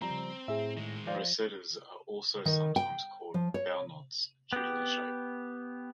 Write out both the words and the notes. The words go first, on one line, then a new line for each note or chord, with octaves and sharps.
Rosettes are also sometimes called bowknots, due to their shape.
F3 G3 C4 A#5
A2 G#4 E5
D#3 G#3 A#6
F3 C5 D5 F5
D#3
G5
F3
C#5
B3 G4